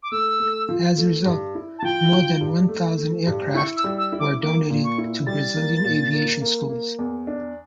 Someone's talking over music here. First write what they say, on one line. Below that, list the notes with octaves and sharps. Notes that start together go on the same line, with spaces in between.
As a result, more than one thousand aircraft were donated to Brazilian aviation schools.
D6
A3 E6
A3
F3
A3
G2
E4
A5
F3 G5
F3
G2
A3
A3
G2
E4 C#6
E6
G3
E6
E4
D6
A#3 D6
A#2
C#6
E4
G3 A6
A#3
A#2
A#3
A#3
A#3
E2
D4